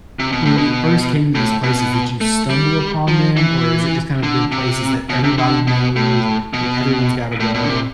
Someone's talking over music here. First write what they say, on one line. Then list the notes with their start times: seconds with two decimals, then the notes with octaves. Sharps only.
when you first came to these places, did you stumble upon them, or is it just kind of been places that everybody knows, and everyone's gotta go?
0.19 C3
0.32 B2
0.45 A2
0.58 B2
1.35 A2
1.64 B2
2.21 A3
2.50 G3
3.08 F3
3.37 E3
4.23 D3
4.52 C3
5.09 B2
5.24 C3
5.38 D3
5.67 B2
5.96 A2
6.53 B2
7.40 A2
7.54 B2
7.63 D3
7.69 C3